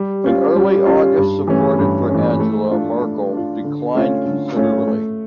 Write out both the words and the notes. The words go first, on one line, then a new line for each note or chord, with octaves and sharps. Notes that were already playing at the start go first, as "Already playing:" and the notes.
In early August support for Angela Merkel declined considerably.
Already playing: G3
C#4 F4
G3
C#4 F4
G2
E3 A3 C#4
G2
E3 A3 C#4
A3
D4 F4
A3
D4 F4
D3
A3 C#4 F4 C#5
D3
A3 C#4 F4 C#5
A3